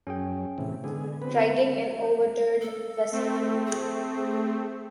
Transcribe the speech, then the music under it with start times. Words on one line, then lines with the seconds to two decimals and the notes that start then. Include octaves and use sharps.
Righting an overturned vessel.
0.07 F#2 C#4 G#4 G5
0.58 A2 C3 E3
0.84 D3 G#3 B3 G#4
1.22 B3 C4 B4
2.61 A4
3.12 A3 C4
3.66 G#4